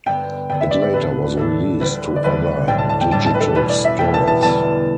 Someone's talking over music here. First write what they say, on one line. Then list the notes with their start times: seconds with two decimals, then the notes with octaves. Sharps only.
It later was released to other digital stores.
0.06 G2 D3 B3 G5
0.49 G2 D3 B3 G5
0.61 E5
0.71 D5
0.82 D5
0.93 A2 A3 D4 B4
1.37 A2 A3 D4 A4
1.80 D2 D3 G3 B4
2.16 D5
2.23 D2 D3 G3 B4
2.68 B1 A2 G3 D4 G5
2.78 A5
2.89 A5
3.01 G5
3.12 B1 A2 G3 D4 A5
3.26 A5
3.34 B4
3.41 A4
3.55 E2 B2 A3 B4
3.69 D5
3.85 E5
3.99 E2 B2 A3 G5
4.14 A5
4.27 A5
4.43 E2 D3 G3 B3 E4 A5